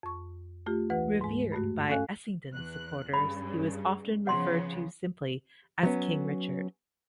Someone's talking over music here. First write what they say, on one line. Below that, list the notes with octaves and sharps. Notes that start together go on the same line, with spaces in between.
Revered by Essendon supporters, he was often referred to simply as "King Richard".
F2 C#6
A3 F4 G4
D2 E3 B4 F#5
G#2 G#3
G2 A3 F#4
C#4 A4 F5 G#5 F#6
E2 F#6
G2 C#3 B5
C#3 F3 B3 F#5 C6
F#3 B3 C#4